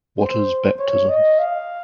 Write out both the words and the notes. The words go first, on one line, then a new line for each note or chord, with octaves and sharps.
What is baptism?
C5
C#5
D#5
F5